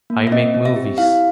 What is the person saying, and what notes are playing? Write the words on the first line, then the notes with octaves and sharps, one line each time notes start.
I make movies.
A#3
E5
C4 D#5
C4
E5
G4
E4 F5